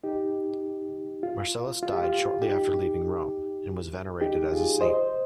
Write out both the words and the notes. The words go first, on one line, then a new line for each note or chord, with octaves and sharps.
Marcellus died shortly after leaving Rome, and was venerated as a saint.
D#4 G4
F4
F4
G4
F4
D#4 G4
D#4 G4
F4 G#4
C5 D#5